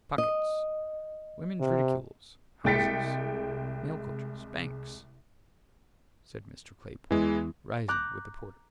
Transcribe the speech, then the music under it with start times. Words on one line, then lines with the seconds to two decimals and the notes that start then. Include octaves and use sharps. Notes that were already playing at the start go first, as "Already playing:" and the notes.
'Pockets, women's ridicules, houses, mail-coaches, banks!' said Mr. Claypole, rising with the porter.
0.18 D#5
1.60 C3
2.64 C2 G#3 G5 A6 B6 C#7
7.11 E2 E3 G#3
7.88 A#5 D6 F#6 G6